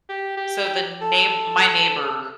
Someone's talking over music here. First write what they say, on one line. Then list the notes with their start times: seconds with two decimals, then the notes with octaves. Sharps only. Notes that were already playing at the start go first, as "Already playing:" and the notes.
so, the neigh my neighbor
0.09 G4
0.37 G4
0.65 G4
1.01 A4